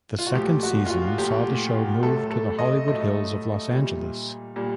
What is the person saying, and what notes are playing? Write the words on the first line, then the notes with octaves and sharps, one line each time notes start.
The second season saw the show moved to the Hollywood Hills of Los Angeles.
F4
F#4
A#2 F3 A3 G4
F#4
F4
F#4
A#2 F3 A3 G4
A2 F#3 A3 A4
A4
D#5
A2 F#3 A3 D#5
A#2 G3
A#2 G3